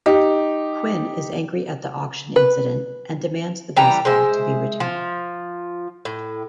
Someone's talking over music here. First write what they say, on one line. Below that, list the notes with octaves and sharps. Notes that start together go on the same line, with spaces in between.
Quinn is angry at the auction incident and demands the baseball to be returned.
D#4 G4
B4
E3 G3 G5 A#5
G#3 C5 E5
F3
A2